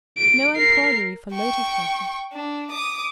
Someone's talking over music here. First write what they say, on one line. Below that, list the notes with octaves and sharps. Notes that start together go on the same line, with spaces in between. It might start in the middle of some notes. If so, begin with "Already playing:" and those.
No embroidery for Lotus Blossom!
D7
A#4 C7
G5 C#6
D4
D6 D#6